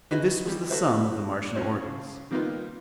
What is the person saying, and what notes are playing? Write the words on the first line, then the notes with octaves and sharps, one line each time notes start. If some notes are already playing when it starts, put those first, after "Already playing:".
And this was the sum of the Martian organs.
D#4 E4 F#4 G#4 B4 D#5
G3 G#4
E4 F#4 A4 B4 C5 E5
C#4 F4 F#4 C5 C#5
C#3
D#3 G3 A#3 B3 D#4 F4